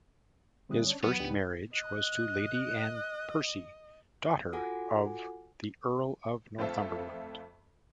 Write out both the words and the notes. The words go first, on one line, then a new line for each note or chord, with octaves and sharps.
His first marriage was to Lady Anne Percy, daughter of the Earl of Northumberland.
D3 G3 C4 E4 D#6 F#6
C#4 D4
E2 F#3 B3 B4 F#5
C#2 G#2 D4 G4 G5
D#5 F#6
F4 F#4 A4 F#5 G#5 D6
F2 A3 C4 F4 A4 E5